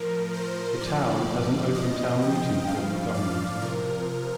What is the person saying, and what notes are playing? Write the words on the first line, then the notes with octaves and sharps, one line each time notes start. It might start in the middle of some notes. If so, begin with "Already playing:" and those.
The town has an open town meeting form of government.
Already playing: A2 F3 A#4
C5
A#2 F3 D5
A#2 F3 D#5
G5
A2 F3 F5
D5
C3 F3 A#4